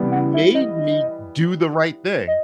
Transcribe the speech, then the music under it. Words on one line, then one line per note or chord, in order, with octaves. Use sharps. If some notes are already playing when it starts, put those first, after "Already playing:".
made me do the right thing.
Already playing: E3 G3 B3 E4
F#5
E5
D#5
D#5